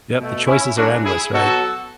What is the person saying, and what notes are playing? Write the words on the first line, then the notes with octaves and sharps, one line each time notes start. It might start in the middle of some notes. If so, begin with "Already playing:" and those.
Yep. The choices are endless, right?
B2 A3
C#4 E4
G#2 F#3 A3 D4 F#4
E4 G#4
B2 F#3 B3 F#4 A4